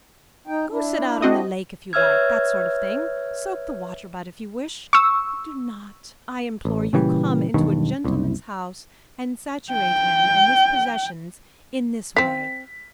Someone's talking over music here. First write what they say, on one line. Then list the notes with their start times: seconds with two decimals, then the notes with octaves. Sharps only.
Go sit out on the lake, if you like that sort of thing; soak the water-butt, if you wish; but do not, I implore you, come into a gentleman's house and saturate him and his possessions in this way.
0.47 D#4 G5
0.71 D4 E4
1.22 C4 F#4 D#5
1.93 B4 C#5 E5 E6 F6 G#6
4.93 C#6 E6
6.65 A1
6.93 A#2 C#3 E3 G3
7.54 E1 B1 G2 D#3
8.04 F#1 C2
9.72 G5
12.16 C4 F5 B6